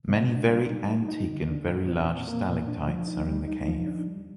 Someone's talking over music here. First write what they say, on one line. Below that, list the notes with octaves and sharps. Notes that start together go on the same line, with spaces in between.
Many very antique and very large stalactites are in the cave.
C3
D4
G3
D#4
G3
D#4
D3
D4
A#2
C4
A#2
A#3
A#2
D4
F3
D#4
G3
D#4
F3
D4
G3